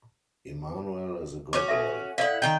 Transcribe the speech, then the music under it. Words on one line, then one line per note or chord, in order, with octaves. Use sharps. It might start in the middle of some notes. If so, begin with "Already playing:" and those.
Immanuel is a good boy.
C#4 F#4 C#5 D6
A4 E5
E4 A4 D5 F5 F#5
D#3 G5